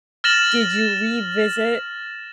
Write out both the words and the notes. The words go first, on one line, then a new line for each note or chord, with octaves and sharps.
did you revisit
F6 A6 A#6 E7 F#7